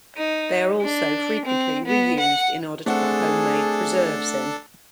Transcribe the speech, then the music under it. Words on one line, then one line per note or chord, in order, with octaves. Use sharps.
They are also frequently re-used in order to put home-made preserves in.
D#4
D4
C4
B3
F#5
A3 C4 D4 G#4 A4 F#5